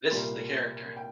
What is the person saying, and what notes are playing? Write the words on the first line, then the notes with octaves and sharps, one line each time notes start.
This is the character!
C2 A#2 G3 A#3 C6
G5